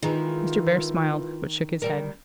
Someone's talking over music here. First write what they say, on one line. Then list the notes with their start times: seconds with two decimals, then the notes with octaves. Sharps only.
Mr. Bhaer smiled, but shook his head.
0.03 D#3 E3 G#3 D#4 F4
1.82 D#3 G3 A#4